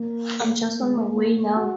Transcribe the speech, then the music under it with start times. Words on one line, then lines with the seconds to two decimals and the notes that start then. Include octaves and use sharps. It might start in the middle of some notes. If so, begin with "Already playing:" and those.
I'm just on my way now.
Already playing: A#3
0.38 A#3
0.68 A#3
0.82 G#3
0.97 A#3
1.12 A#3
1.42 A#3
1.57 F#4